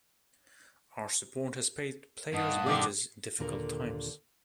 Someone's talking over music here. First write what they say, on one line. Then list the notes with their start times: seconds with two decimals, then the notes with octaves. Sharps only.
Our support has paid players' wages in difficult times.
2.34 G2 D#4 F#5 A5 D#6
2.66 B2 D3 D#3 G4 D5
3.39 D#2 A#2 D3 A#4